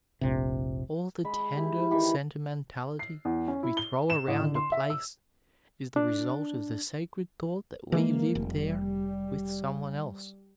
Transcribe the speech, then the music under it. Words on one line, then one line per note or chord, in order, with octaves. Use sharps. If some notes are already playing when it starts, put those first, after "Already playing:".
All the tender sentimentality we throw around a place is the result of the sacred thought that we live there with some one else.
F1 A#1 C3
G#3 B5
E4 G4
D#3 E3 G4
C7
E2
C#4
E4
G7
E7
A1
D3
C6
E5
E6
D4
E3 G#3 A#3
F1 G3